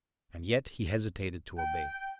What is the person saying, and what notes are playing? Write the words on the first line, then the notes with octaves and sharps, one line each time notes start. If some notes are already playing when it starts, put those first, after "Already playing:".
And yet he hesitated to obey.
G5